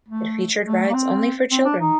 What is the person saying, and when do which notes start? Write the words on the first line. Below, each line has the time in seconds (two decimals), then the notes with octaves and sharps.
It featured rides only for children.
0.08 A3
0.65 A3
0.89 A#3
0.94 C4
1.51 C4
1.65 D4
1.80 D#4